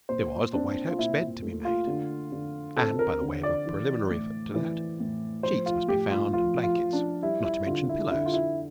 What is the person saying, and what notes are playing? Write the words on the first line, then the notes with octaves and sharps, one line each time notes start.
There was the White Hope's bed to be made, and, by the way of a preliminary to that, sheets must be found and blankets, not to mention pillows.
A#2 C5
C4 D4
F4
A#2 E4
A3
F4
D3
D3
C4 A4
A#4
D3
D5
E3
A2
E3
A2
F3 C5
F4
A2 G4
F4
F3 F4
F4
F3
D4
G3 E4
E4
D3 F4
E4
D3 E4
F4
E4